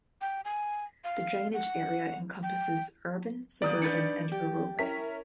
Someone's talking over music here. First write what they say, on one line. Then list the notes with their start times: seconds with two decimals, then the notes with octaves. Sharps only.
The drainage area encompasses urban, suburban and rural lands.
0.21 G5
0.45 G#5
1.04 F5
1.54 F#5
2.43 G5
3.62 D#2 F#3 B3 D5 A#5 D#6 G6
3.82 D4 D#4 B4 G6 A6 C#7
4.32 G4
4.79 C#4 E4 A#4 B6